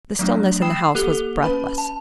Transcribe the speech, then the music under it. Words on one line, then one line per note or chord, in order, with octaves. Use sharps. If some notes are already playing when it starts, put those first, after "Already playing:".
The stillness in the house was breathless.
F#3 A3 B3 D4
G5 B5 D#6 E6 C7 E7
A#3 G4 A4 F#6 F7 G7
C#4 B4 B5
A5